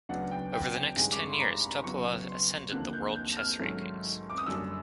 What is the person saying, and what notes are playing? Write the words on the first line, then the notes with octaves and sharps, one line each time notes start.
Over the next ten years Topalov ascended the world chess rankings.
D2 C#3 F#3 B3 D4 F#5
G5
G5
G5
G2 D#3 G#3 C#4 G#5
D6
C#6
C6
B5
A#5
B5
E2 C#3 F#3 B3 C#6
C6
D#2 D3 F3 A#3 F#6
G6
G6
F6
G#2 D#3 F#3 A3 C#4
D6
D#6
F#1 F#2 D3 G3 E6